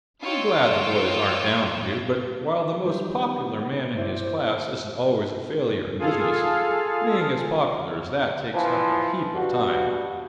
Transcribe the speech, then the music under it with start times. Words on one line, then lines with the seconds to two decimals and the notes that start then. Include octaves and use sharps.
I'm glad the boys aren't down on you, but while the most popular man in his class isn't always a failure in business, being as popular as that takes up a heap of time.
0.22 D#4 F4 C#5 G5 E6
2.85 D#3 G3 D4
3.98 E4 C5 D5
5.99 F4 G#4 A4 F5
8.54 E3 F3
9.34 G2 F#4